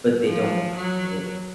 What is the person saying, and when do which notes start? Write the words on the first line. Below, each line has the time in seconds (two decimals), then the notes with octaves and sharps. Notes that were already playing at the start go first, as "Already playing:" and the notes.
but they don't want to commit.
0.24 F3
0.76 F#3